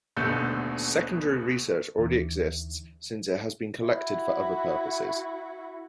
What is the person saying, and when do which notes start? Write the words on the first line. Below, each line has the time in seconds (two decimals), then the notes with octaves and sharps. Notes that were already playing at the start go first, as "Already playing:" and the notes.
Secondary research already exists since it has been collected for other purposes.
0.16 D#1 B2 D3 A3 A4 G6
1.98 D#2 D3 E3
3.85 E4 F#4